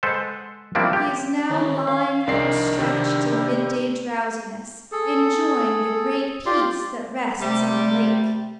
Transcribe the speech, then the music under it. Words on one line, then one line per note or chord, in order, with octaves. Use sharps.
He is now lying outstretched in midday drowsiness, enjoying the great peace that rests on the lake.
G#3 A4 B4 C5 F#5
F3 G3 A#3 C4 D4 E4
G4
D#3 C4 C#4
F5
C2 D#3 D4 G#4 D5 C7
C3 D#3 G3
G3
G#4 A4
F4 G4 D5 C6
C3 G3 A3